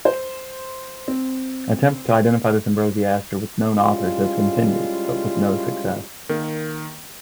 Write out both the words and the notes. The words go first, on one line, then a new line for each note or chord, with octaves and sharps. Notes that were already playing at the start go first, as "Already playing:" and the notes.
Attempts to identify this Ambrosiaster with known authors has continued, but with no success.
C5
C4
G3 G#3 C#4 E4 F4
D#3 A#3